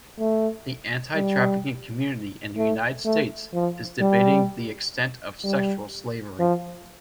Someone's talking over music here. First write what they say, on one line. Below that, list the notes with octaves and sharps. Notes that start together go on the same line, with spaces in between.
The anti-trafficking community in the United States is debating the extent of sexual slavery.
A3
G3
A3
A3
F3
G3
G3
F3